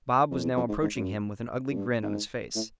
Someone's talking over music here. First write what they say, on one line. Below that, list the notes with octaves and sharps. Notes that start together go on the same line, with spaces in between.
Bob was now approaching him with an ugly grin on his face.
F2
E2
F2
G#2
G#2
F#2
F#2
G2
G#2
A2